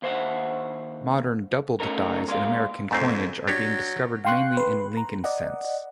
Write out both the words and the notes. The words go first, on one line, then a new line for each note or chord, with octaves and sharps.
Modern doubled dies in American coinage are being discovered mainly in Lincoln cents.
D#2 C5 E5 F#5
A3 C#4 D#4 A4 A#4
C3 G#3 A#3 B3 D5 F5
F2 G#2 A3 C4
F#3 D4 G4 C#5
F5 G5 C6 C#6 F#6
B4 C6
A#5
D5 D#5 F#5